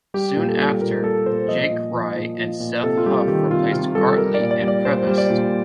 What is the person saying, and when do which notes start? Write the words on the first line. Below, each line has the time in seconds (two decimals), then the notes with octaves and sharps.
Soon after Jake Rye and Seth Huff replaced Gartley and Prevost.
0.14 G3 G4
0.37 A#2
0.49 A4
0.60 G3
0.81 A#2 A#4
1.04 G3 A4
1.26 A#2 C5
1.48 F3 D#5
1.71 A#2
1.94 F3
2.16 A#2
2.38 F3
2.60 A#2
2.83 C3 A4
2.98 F4
3.06 G3 G4
3.28 D#3 G4
3.50 C3 F4
3.72 C3 F4
3.95 G3 A4
4.17 G3 A#4
4.34 D5
4.40 A#2
4.51 D5
4.62 G3
4.68 D5
4.85 A#2 C5
5.07 G3
5.18 D5
5.30 A#2